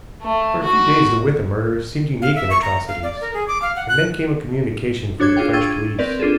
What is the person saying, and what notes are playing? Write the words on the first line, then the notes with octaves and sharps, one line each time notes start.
For a few days the Withan murder seemed unique in atrocities, and then came a communication from the French police.
A3
F#4
F5
E5
C#6
A#5
F5
D5
A#4
G#4
D6
F5
F#5
F#6
D4 F#4 C#5 D6 G#6
D4 F4 G#4 F5 G5
G5 C#6 E6 G#6 A6 D#7
G#6
C4 A#4 B4 D5
D4 F4 G#4 A4